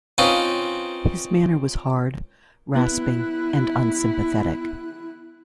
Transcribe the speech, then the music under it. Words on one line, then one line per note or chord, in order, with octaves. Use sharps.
His manner was hard, rasping, and unsympathetic.
C4 C#4 D#4 F4 B4
B3 E4 F#6